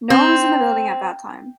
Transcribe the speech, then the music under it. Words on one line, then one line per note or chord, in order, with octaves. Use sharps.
No one was in the building at that time.
C4